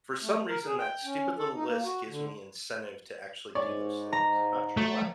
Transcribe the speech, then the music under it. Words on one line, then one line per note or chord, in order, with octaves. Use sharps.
for some reason, that stupid little list gives me incentive to actually do those things. Not sure why.
A3
A#4
G#4
G5
C#4
A4
D#4
A#3
F#4
D3
G#2 C#5 D5
A#5
A3